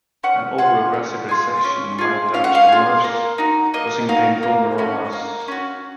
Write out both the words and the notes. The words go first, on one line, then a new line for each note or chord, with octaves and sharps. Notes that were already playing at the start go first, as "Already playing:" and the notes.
An over-aggressive resection might damage the nerves, causing painful neuromas.
C#4 F#5
F4 G#4 F#5
C#4
F4 G#4
C#4
F4 G#4
C#4 F5
F#5
F5
F4 G#4
A#3
D#4 F#4
A#3 D#5
D#4 F#4 F5
A#3
C#4 F#4
A#3
C#4 F#4